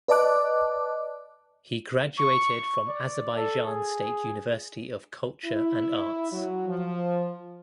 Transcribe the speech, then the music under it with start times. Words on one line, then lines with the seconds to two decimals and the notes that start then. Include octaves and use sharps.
He graduated from Azerbaijan State University of Culture and Arts.
0.08 B4 D5 D#5 A5 D6 F#6
2.18 C#6
2.88 D5
3.36 A4
3.67 G#4
5.45 E4
6.32 F#3
6.67 F3